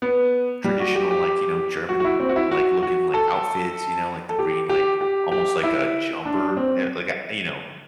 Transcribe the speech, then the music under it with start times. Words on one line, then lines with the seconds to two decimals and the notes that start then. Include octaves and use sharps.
traditional, like, you know, German, like, looking, like, outfits, you know, like, the green, like, almost like a jumper, y like a you know
0.02 B3
0.64 G3
0.80 F#4
0.95 G4
1.11 G4
1.89 F#4
2.00 F#4
2.04 E4
2.20 C4
2.29 F#4
2.36 E4
2.51 F#4
2.83 F#4
3.14 A4
4.29 A4
4.39 G4
4.69 G4
5.01 G4
5.32 G4
5.63 E4
6.25 D4
6.57 C4